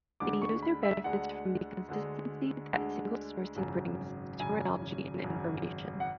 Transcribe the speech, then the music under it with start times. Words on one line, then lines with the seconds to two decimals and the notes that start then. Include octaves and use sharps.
The user benefits from the consistency that single-sourcing brings to terminology and information.
0.20 D2 D3 G#3 D4 D6
0.42 C#6
0.62 B5
0.83 E5
1.04 D2 D3 G#3 D4 F#5
1.88 D2 D3 G#3 D4
2.73 D2 D3 G#3 D4
3.56 G#1 F#2 C#3
4.40 G#1 F#2 C#3 G#5
5.24 G#1 F#2 C#3
6.00 F#5